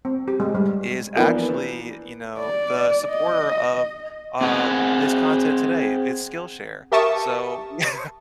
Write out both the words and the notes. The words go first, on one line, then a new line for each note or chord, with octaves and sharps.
is actually, you know, the supporter of, uh, this content today, i it's Skillshare, so yeah
C4
G4
G#3
G3
E3 F3 A#3 B3 D4
D5
D#5
C4 G#4 F#5
G4 A#4 E5 A5 C#6 D#6